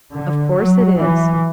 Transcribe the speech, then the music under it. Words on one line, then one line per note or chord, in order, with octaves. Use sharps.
"Of course it is."
D3
F#3
E3